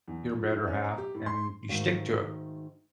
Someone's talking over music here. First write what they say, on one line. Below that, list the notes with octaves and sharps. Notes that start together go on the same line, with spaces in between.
your better half, and you stick to it.
E2
F3
E4
C#4
A#5
G4
A2
C6
G#2 D#3 A3 F#4 F5